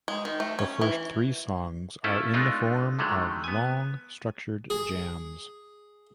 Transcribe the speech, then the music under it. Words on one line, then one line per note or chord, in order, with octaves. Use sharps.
The first three songs are in the form of long, structured jams.
G#3
D#3
A3
C#4
E3
A3 C#4 E4 F4 A4
G#3 A3 B3 D4 D#4 F4
D3 D#3 F#3 G#3 A3
B3 G#5
G#4